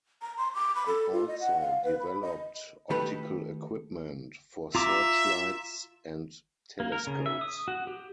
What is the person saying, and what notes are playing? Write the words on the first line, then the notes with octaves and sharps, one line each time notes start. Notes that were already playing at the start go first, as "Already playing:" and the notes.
He also developed optical equipment, for searchlights and telescopes.
A#5
C6
D6
B5
A4
F4
D#5
F#5
F5
B4
B5
D#5
D#3 A3 G4 A4 B4 B5
F4 E5 A#5 D6
A#3
A#4
C#3
E5
D#6
F#4
G4